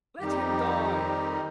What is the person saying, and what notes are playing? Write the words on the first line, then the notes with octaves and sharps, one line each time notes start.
'Let him die!
F2 D#3 G3 C4 D#4 G4